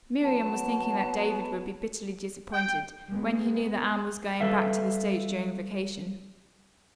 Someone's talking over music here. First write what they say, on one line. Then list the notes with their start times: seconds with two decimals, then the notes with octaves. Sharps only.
Miriam was thinking that David would be bitterly disappointed when he knew that Anne was going back to the stage during vacation.
0.22 F#3 B3 A5
2.53 G5
3.11 G#3 B3
4.40 G3 A4 B4 E5 F5